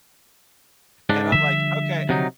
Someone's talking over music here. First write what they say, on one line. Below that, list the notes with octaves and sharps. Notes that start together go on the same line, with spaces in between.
and I'm like, "Okay,
G#2 C#3 D4
D3 F3 G3 E5
C3 F#3 D#4